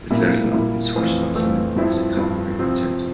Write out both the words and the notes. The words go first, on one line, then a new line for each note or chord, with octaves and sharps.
Is that an open source document, or is it copyright-protected?
A#2 G3 A#3 E4
A#2 G3 A#3 E4
F2 E3 A3 C4 F4
F2 E3 A3 C4 F4
G2 F3 C4 E4
G2 F3 C4 E4
C3 F3 C4